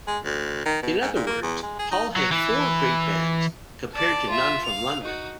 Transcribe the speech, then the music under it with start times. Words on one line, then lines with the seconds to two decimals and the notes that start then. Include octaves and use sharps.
In other words, Hull had four great bands, compared to none from London.
0.07 G#3
0.24 D2
0.66 D#3
0.82 B2
1.01 G#2
1.15 A#2
1.27 A#3
1.42 E2
1.63 G#3
1.79 G#4
1.91 D#4
2.16 F#3
2.32 E3
3.95 D5 A5
4.30 F4 E5
4.65 F5 F7
5.03 D#4 F#4